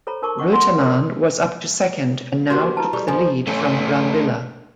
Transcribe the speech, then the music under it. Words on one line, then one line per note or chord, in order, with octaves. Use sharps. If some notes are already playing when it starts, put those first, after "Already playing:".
Reutemann was up to second, and now took the lead from Brambilla.
A4 C5 C#5 A#5 B5
D#4 A#4 A5 C#6 D6
C#4 D#5 F#5 C#6 D6
C#5 F#5 G#5 C6
F4 G#4 A#4 D5 A#5 D#6
A#3 B3 F#4 G4 C5
E4 B4 A5
G3 G#4 A4 C#6
E2 F3 G#5
A3 C#4